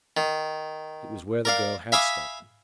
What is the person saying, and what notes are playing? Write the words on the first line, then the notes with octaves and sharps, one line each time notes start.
It was where the girl had stopped.
D#3
A#4 D5 F5
E5 F5 G#5 B5 D6 D#6